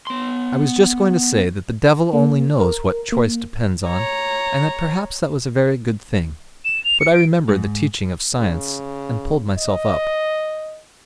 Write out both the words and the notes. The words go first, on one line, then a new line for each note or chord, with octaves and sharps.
I was just going to say that the devil only knows what choice depends on, and that perhaps that was a very good thing, but I remembered the teaching of science ... and pulled myself up.
B3 C6
A#3
A#4
A#3
C#5 A#5
E7
F7
C#7
D7
G#2
C#3
D#5